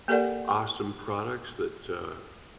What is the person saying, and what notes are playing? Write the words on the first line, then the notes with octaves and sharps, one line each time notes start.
awesome products that, uh,
A#3 G4 A4 A#4 D5 F#5